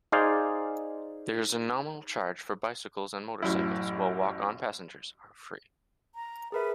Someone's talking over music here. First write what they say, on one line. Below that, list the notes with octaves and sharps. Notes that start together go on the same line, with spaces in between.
There is a nominal charge for bicycles and motorcycles while walk-on passengers are free.
D#4 G#4 C5 D5 F5
A1 F#2 E4
A#5
G#4 A#4 B4 E5